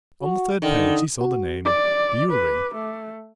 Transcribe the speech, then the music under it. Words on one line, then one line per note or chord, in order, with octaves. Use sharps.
On the third page he saw the name Bewery.
F#4
D3 D#3
F#4
D5 D6
B4
A3